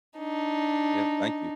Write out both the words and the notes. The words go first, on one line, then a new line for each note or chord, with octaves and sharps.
Yeah, thank you.
D4 D#4